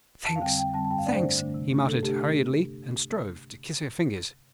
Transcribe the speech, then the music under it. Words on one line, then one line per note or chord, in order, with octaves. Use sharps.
"Thanks, thanks," he muttered, hurriedly, and strove to kiss her fingers.
F2 A5
F5
D3 G3 C4 G5
F2 G5
D3 G3 C4 A5
A5
G2 G5
F5
D3 A3 D4 D5
C5
G2
D3 A3 D4
C3
A3 D4
C3 A4
A3 D4 G4